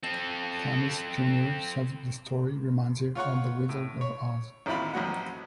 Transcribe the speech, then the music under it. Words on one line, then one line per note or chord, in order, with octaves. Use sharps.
Thammis junior says the story reminds him of "The Wizard of Oz".
C4 A4
F4 C#5 F#5 C#6
A2
C#5
A1 D#2 C4 E4 F4 B5
A1 F3 F#3 F#5